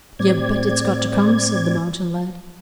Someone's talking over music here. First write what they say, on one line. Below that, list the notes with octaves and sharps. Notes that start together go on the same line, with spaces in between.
"You bet it's got to come," said the mountain lad.
A2 C4 D5 G#6